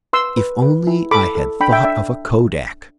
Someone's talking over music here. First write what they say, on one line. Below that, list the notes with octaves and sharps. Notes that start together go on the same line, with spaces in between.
If only I had thought of a Kodak!
B4 C6 E6
B4
B4
E4
A4 B5 D6
A4
D4 G5 B5
E5 G5
D4 E5